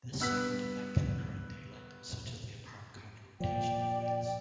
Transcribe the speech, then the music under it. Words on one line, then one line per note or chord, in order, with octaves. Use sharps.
This second effect can occur in daylight, such as the apparent counter-rotation of wheels.
G2 B3 E6 F#6 B6
A#2 F3 D5 G5